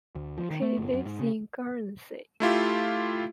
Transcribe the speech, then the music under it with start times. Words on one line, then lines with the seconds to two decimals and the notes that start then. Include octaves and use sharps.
He lives in Guernsey.
0.15 D2
0.38 F3
0.50 D#3
0.62 A3
0.77 G1
0.94 F#2
1.05 G#2
1.19 C#3
2.40 A3 E4 F4 G4